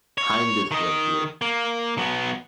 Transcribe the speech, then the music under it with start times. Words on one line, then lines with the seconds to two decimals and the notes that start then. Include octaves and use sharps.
Hindus live here.
0.18 C#5
0.71 D#3 D#5
1.42 A#3
1.98 F#3 B3